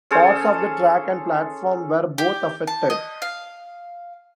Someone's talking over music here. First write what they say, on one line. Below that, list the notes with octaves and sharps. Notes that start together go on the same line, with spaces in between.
Parts of the track and platform were both affected.
C#4 G#4 A4 C5
G4
A5
D#5
F5